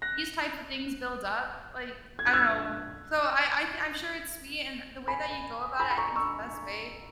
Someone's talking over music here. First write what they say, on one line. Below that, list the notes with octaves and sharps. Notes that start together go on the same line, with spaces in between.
these type of things build up, like I don't know, so I I thi I'm sure it's sweet, and the way that you go about it, I think's the best way.
F#6 A#6
G#6
F#6
E6 G#6
G#5 B5
G#5 B5
B5
A#5 C#6
C#6 E6